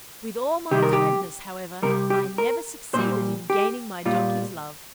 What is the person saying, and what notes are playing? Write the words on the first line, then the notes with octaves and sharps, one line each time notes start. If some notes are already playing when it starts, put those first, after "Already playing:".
With all my kindness, however, I never succeeded in gaining my Donkey's love.
C3 D#3 G3 G4
A#4
G4
C3 G3 A#4
G4
A#4
A#2 G3 C5
G4
A#2 G3 F4